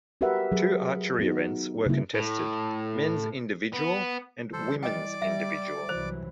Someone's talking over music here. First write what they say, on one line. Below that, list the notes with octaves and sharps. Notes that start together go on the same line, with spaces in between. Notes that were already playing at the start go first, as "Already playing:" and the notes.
Two archery events were contested: men's individual and women's individual.
F#4 G4 A#4 B4 E5 F#5
F#3 G#4
F#3 B3 D#4 F#4
C#3 F#3 G3 A#3 E4
A2
B3
E3 G3 A4 C5
D5 D#5 G5 D6
G3 E5
C2 E3 F#3 C5